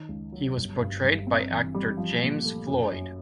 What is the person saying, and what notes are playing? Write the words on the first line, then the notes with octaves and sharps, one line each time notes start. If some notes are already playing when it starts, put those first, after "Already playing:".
He was portrayed by actor James Floyd.
Already playing: D#3
C#2
F#3
G1
G2
G1
C4
E3
G3
F3
A#2
A3
F#2
F#2